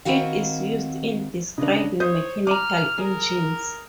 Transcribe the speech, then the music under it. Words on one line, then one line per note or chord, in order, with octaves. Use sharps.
It is used in describing mechanical engines.
D#3 E3 C4 E4 F#4 F5
C#3 D4 D#5
C5 C#5 D#6 G6
A#5 D6 F6
G#4 A#4